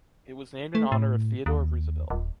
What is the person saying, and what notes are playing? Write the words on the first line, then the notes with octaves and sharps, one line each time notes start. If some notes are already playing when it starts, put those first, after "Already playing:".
It was named in honor of Theodore Roosevelt.
A3
A2
D#2
D#1